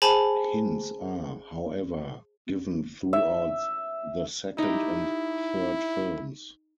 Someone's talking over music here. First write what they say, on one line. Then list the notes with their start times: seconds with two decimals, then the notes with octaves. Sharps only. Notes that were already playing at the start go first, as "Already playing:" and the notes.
Hints are, however, given throughout the second and third films.
0.02 G#4 C5 G#5 A5 B5
3.13 E5
4.58 D#4 E4 G4